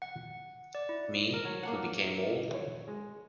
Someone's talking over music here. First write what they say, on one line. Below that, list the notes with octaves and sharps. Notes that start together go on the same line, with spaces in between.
Me, who became old...
F#5
D5
E4
A#4
F#3
A#3 D4 F#5
C#5
G#3